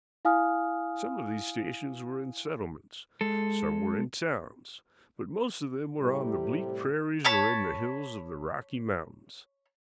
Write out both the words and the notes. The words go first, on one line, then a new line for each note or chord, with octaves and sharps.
Some of these stations were in settlements, some were in towns, but most of them were on the bleak prairies or in the hills of the Rocky Mountains.
E4 F5 G#5 D#6 F6
G#3 A4
A2 C3 G3
C#5 A5 B5